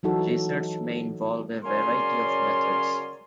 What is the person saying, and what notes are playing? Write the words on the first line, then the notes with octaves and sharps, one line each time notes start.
Research may involve a variety of methods.
E3 F#3 D#4 F#4 A4
C#3 F#3 C#4 A#4 D5 C6